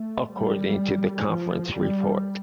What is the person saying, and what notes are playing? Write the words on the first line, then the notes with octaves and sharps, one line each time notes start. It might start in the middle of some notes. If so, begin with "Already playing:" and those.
According to the Conference Report.
Already playing: A3
G3
F3
G3